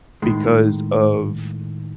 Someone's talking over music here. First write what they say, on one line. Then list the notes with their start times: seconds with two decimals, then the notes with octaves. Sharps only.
because of,
0.22 A2 D#3 G#3